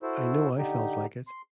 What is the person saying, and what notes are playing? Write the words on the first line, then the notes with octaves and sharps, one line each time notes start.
I know I felt like it.
E4 F#4 A4 C5
D3 D#4 G4
C6